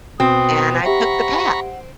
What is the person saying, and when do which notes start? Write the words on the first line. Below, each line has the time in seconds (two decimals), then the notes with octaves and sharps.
and I took the path.
0.20 B2 C4 F#4 C5 D#6
0.86 G4 E5 F#5 A#5 B5 C#6